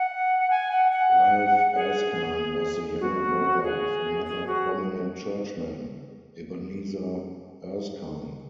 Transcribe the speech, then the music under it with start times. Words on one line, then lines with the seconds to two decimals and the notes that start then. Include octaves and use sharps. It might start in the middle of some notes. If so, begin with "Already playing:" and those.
Ralph Erskine was the younger brother of another prominent churchman, Ebenezer Erskine.
Already playing: F#5
0.50 G#5
0.71 F#5
0.91 F#5
1.75 G#4
3.00 F#4
3.63 G#4
4.25 G#4
4.46 F#4